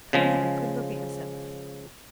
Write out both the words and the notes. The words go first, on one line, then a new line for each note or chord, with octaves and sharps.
"Come and have a good look at yourself."
C#3 F3 G#3